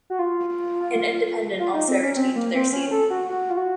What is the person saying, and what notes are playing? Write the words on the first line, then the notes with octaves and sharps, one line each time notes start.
An independent also retained their seat.
F#4
F4
F4
D#4
C4
C#4
C4
A#3
C4
C#4
A4
F#4
F#4
F4
F#4